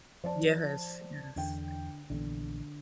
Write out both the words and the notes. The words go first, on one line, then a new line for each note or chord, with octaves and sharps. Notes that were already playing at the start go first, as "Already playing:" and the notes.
Yes, yes.
F3 C5 D5 A5
E2 D3 G5
A#1 D3 E3 B3